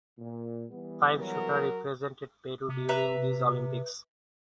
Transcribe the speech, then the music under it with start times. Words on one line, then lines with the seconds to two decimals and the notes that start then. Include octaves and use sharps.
Five shooter represented Peru during these Olympics.
0.18 A#2
0.70 E3 G3 B3
1.18 F#3 A#4
2.69 C3
2.89 B4 E5 A#5